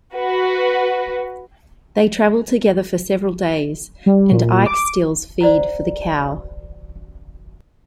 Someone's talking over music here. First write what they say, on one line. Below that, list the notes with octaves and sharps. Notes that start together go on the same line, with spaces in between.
They travel together for several days, and Ike steals feed for the cow.
F#4 B4
G3
A#2
D6
C5 D5 F#5 A#5